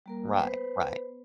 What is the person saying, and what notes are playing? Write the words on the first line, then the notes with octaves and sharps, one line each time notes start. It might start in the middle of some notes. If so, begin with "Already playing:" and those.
Right, right.
G3 A#3 A#4
B3 B4 C5